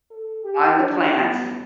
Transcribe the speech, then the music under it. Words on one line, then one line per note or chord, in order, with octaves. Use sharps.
on the plants,
A4
G4
D4
A1 G2 F#3 B3